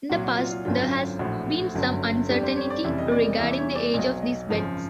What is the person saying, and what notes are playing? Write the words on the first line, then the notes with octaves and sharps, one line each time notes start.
In the past, there has been some uncertainty regarding the age of these beds.
C2 A#2 F#3 F#4
F#4
F4
F4
G#1 F#2 D3 F#3 F4
A#1 A2 F3 F#4
G1 F#2 D3 F#3
F2 D3 G3 G4
C5
C#5
D5
F1 F2 C#3 E3 G3 E5
D#5
D5
D#5
E2 C3 E3 G3 E5
C#5
D5
B1 B2 F#3 D#5
D#5
G#1 F#2 C#3 F3